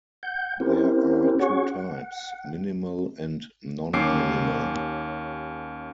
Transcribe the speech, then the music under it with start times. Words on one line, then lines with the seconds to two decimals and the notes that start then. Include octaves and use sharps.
There are two types: minimal and non-minimal.
0.23 F#5 G6
0.60 C4 C#4 E4 G4 A#4 C5
1.39 C#4 F#4 G#4 C#5 F#5 C#6
1.64 F#5
3.93 D#2 C#4 D6 C7 D7